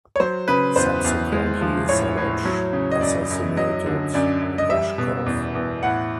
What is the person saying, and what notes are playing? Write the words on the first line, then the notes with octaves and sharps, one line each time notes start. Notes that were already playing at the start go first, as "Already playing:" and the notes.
Subsequently, Savage assassinated Vashkov.
C#5
F#3 C5
C#3 B4
E2 C5
E2
G#3
F3
A2 C#5
A2
F#3
C#3
D#5
F#2 D5
F#2
F#3 D#5
D3
F#2 D5
F#2
D#5
G3 E5
B2
E2
E2
A2 F#5